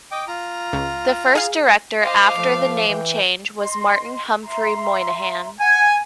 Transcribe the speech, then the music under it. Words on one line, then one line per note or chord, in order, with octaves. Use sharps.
The first director after the name change was Martin Humphrey Moynihan.
D#5 G5 D6
F4 A#5
C#2
G#4 F5
F4 C5 D#5 F5 D6
F3 A3
E3 G5
D#5 C6
E5 A#5 C6
F#5 G#5